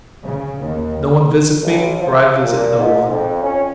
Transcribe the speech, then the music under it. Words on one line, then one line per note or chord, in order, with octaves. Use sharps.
No one visits me, for I visit no one.
C#3
D#2
B1
F3
A#2
G#2
F2
C#4